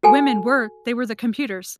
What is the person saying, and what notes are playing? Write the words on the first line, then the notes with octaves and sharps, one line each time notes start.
women were they were the computers,
F#4 A4 G#5